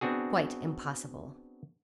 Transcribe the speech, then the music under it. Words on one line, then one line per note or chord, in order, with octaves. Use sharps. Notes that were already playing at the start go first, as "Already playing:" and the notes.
Quite impossible!
B3 C4 D4 F#4 G#4